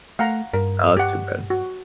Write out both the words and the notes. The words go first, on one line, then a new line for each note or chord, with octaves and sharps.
Oh, that's too bad.
A3 F5 F#5 A#5
G2 A#4
G4 F#5
F#4